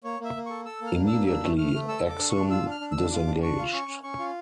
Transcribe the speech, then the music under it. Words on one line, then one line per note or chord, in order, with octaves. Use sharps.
Immediately "Axum" disengaged.
A#3 C#5
A#3 E5
A#3
A4 C#6
A4 E6
A#3
F6
D4
A#3 E6
D4 E6
A3
A3 F6
A3
A4 E6
A4 D6
D4
C#6
D4
F4 E6
D4
F6
D4
E6
D4
F4 D6
D4
D4 C#6
F4
C#4 C#6
C#4
C#4 C#6
F4